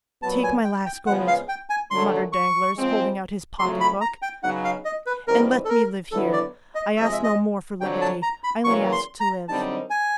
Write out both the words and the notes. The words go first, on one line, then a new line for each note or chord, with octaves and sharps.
"Take my last gold," muttered Danglars, holding out his pocket-book, "and let me live here; I ask no more for liberty--I only ask to live!"
A#2 F#3 B3 A5
G#5
G5
G5
C#3 F3 G#3 B3 F#5
F5
G5
G#5
F#2 D3 F#3 A3 C6
C#6
F3 G#3 C4
F2 C#3 F#3 A3 C6
B5
A#5
G5
C#3 F#3 B3 D#4 F#5
F5
D#5
B4
E2 B2 G3 C4 D#4 A#4
A4
A#4
D3 F#3 B3 E4 A4
D5
D#5
C3 F3 G#3 E5
D#5
E5
D#5
F2 D3 F#3 G5
A5
A#5
B5
E2 C#3 F#3 A#3 C#4 C#6
C6
A#5
F#2 D3 G3 C4 D#4 A5
G#5